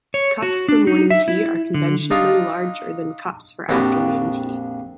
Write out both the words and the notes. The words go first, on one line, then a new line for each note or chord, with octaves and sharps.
Cups for morning tea are conventionally larger than cups for afternoon tea.
C#5
F#4
D4
D#4
E5
E4
D3
D4 D#4 F4
A#1 F2 D4 F#4 G4